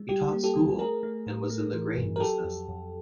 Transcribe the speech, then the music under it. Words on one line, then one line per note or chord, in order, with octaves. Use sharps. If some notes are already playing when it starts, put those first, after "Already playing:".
He taught school and was in the grain business.
Already playing: G#3
G3 G4
A#3
G4 A4
G3
A3 G#4 A#4
A3
A2
A3
E3
G2
A#4
F#3 G4 A4
F2
F2